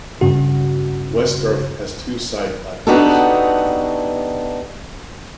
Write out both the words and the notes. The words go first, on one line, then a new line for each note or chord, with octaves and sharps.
Westgarth has two side platforms.
G2 C#3 F#4
B3 D4 D#4 F#4 G4 A4